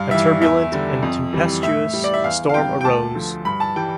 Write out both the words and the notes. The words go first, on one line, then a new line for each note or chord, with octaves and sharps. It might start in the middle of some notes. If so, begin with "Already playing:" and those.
A turbulent and tempestuous storm arose.
Already playing: G2 F5
E3 G3 E5
E2 E5
D3 G3
F2
E3 G3
A2 E5
G3
D5
E5
E2 F5
F5
C3 G3 G5
G5
D2 A5
D3 F3
G2 B5
A5
E3 G3 G5